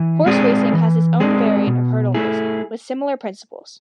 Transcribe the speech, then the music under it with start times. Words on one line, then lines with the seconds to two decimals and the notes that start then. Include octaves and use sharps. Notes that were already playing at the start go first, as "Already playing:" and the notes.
Horse racing has its own variant of hurdle racing, with similar principles.
Already playing: E3
0.26 G#3 C4 G#4 D5
0.73 E3
1.20 G#3 C4 G#4 D5
1.67 B2
2.15 A3 E4 G#4